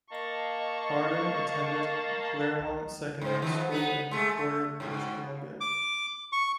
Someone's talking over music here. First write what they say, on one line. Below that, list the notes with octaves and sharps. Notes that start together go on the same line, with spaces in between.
Harden attended Claremont Secondary School in Victoria, British Columbia.
A#3 D#5 A5 C#6
G#2 C5
D#3 F3 B3
B3 D#4 B4
G#3 A3
A3
G#2 B2
D6
C#6